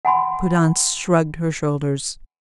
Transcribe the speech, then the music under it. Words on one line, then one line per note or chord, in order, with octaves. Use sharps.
Prudence shrugged her shoulders.
F#5 G#5 B5 C6